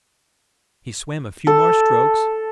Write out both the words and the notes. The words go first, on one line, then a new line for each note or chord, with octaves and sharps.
He swam a few more strokes.
A4